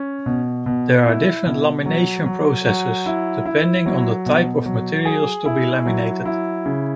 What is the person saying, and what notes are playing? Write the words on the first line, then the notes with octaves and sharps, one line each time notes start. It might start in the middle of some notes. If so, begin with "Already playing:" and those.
There are different lamination processes, depending on the type of materials to be laminated.
Already playing: C#4
B2
B2
E4
B2
F#3
F#3
F#3
E4
E4
F#3
B2
F#3
G#4
E4
F#3
E4
C#3